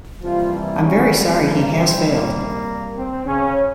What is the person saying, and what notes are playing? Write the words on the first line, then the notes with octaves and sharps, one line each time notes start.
I’m very sorry he has failed.
C3 E3 F3 G3 A#3 F4
E3 E4
C#3 C#4
C4
A#3
C4
A#3
C4
C#3 C#4